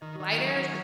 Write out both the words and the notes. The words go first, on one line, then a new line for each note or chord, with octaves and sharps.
lighters and
D#3
D#3
F#3
D#3